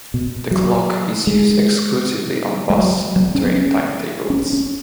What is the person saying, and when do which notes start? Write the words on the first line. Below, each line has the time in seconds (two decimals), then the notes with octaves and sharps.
The clock is used exclusively on bus and train timetables.
0.14 B2
0.51 F#3
1.27 G#3
2.70 G#3
2.78 F#3
3.16 F#3
3.35 C#4
3.44 B3
3.54 C#4
4.30 C#4
4.53 C#4